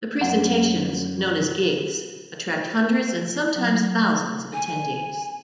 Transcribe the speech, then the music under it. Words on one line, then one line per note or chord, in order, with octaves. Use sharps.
The presentations, known as "gigs", attract hundreds and sometimes thousands of attendees.
F#2 F#5
F#3
G#5